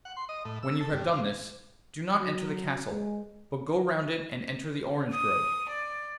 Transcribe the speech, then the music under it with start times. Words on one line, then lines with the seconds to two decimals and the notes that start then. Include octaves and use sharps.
When you have done this, do not enter the castle, but go round it and enter the orange grove.
0.05 F#5
0.17 C6
0.29 D#5
0.45 A2
0.63 E6
0.80 A4
0.93 G2
1.12 F3
2.19 F#3
2.89 G#3
5.12 D#6
5.70 D5